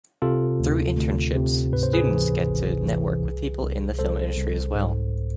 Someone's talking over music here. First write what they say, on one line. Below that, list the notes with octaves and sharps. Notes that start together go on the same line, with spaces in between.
Through internships, students get to network with people in the film industry as well.
C3 F4 A4
D2
D2
C3
G#2 B4
C5
G#4 B4
E3
G#1
E3
C2
C2
C2 A4 C5
C2
G#2